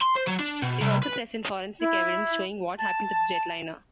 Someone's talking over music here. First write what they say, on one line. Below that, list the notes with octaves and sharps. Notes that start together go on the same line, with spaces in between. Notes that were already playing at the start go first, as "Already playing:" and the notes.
They also present forensic evidence showing what happened to the jetliner.
C6
C5
F#3
D4
B2
C2
B4
E4
A5